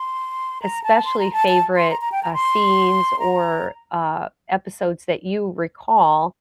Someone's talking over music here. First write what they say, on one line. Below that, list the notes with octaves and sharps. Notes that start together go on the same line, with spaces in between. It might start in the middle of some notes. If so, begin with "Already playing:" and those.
especially favorite, uh, scenes, or, uh, episodes that you recall
Already playing: C6
A#5
A5
C6
A#5
A5
A5
C6
A#5
A#5
G5
A#5
C6
A#5